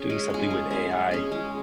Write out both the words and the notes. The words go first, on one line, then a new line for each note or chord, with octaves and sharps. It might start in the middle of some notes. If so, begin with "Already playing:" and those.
doing something with AI,
Already playing: C#4 G#4
G#3
C#4 G#4
G#3
C#4 G#4
G#3
C#4 G#4
G#3